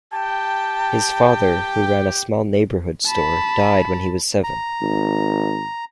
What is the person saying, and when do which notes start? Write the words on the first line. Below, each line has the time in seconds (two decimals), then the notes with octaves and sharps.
His father, who ran a small neighborhood store, died when he was seven.
0.12 G4 G5 A5
3.06 A5 B5
4.44 A#5
4.81 G#1